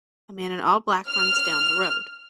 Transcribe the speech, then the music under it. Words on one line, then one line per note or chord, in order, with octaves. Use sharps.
A man in all black runs down the road.
F6